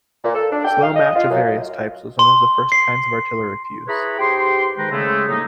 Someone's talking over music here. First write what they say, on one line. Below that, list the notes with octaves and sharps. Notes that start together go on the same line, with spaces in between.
Slow match of various types was one of the first kinds of artillery fuse.
A#2
A4
D4
G5
F5
D#5
F4
F#2
C6
C7
E4 G#4 B4 C#5 A#5 B5
G#2 G4 G5 C6
G#2 D#3 G#3 B4 G5 A#5
C#3 G#3 A3
A2 G3 A#3 D#4